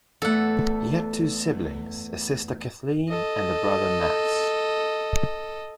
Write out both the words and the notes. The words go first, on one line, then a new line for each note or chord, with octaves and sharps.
He had two siblings, a sister Kathleen and a brother Max.
E2 A3 A4 F#5
A4 D#5